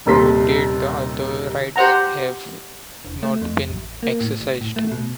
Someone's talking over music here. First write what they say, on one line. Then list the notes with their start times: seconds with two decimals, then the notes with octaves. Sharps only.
To date the other rights have not been exercised.
0.06 D#1 D#2 C3 A4 C6 B6
1.76 G4 C5 F#5 A#5
3.05 E1
3.23 A3
3.42 F2
3.69 A1
4.03 A#3
4.21 A2
4.41 G1
4.61 A2
4.76 A3
4.91 B2